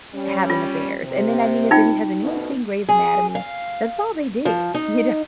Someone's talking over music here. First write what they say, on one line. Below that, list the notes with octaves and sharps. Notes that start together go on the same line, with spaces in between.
having affairs, and then I mean if any Has anyone seen Grey's Anatomy? That's all they did, you know,
G3 C#4
F4
C3
D#4 F4 G5
D2 B2 F#4
G#4
F5
F3
D#4